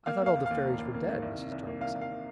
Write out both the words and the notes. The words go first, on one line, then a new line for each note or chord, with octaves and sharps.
"I thought all the fairies were dead," Mrs. Darling said.
A#3 F5
A#3 F5
D#2
D#2 F5
F1
D#2
A#3
D#3
C2
C3
C2
A#3
C2 F5
C2
F5
C3